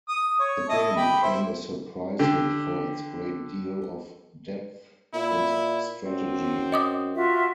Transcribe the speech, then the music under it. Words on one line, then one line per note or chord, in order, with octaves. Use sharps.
The game became a surprise hit for its great deal of depth and strategy.
D#6
C#5
E4 D#5 A5
G4 B5
E4 C5
D3 G4
A#2 E4
F#2 C4
D#5 D6 D#6
F4 F#4 E5